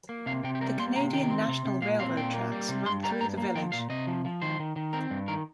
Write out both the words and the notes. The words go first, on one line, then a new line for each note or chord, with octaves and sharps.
The Canadian National railroad tracks run through the village.
A#3
C3 F5
C3 G5
G4
G3 A#4
A#3 C6
C3 A#5
D#3 G5
C4
C3
C3
A#2 F5
C4 F5
A#2 G5
A#3
G3
C3
G2 C6
G3 A#5
G2 A#5
A#3
F3 G5
A#2 F5
C3 D#5
F3
F3
D#3 C5
D#3
D#3
C4 A#4
G2
D#3 A#4